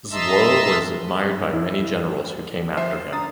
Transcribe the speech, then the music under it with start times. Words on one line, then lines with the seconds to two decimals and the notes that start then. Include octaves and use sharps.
Zuo was admired by many generals who came after him.
0.11 D#5 E5 A5 A#5 C6 E6
1.53 E4
2.77 F3 C5 E5 C7
3.13 D4 A#5 D#6 A6